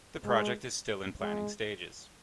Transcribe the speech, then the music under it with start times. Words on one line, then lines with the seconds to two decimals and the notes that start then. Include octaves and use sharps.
The project is still in planning stages.
0.25 G#3
1.21 G#3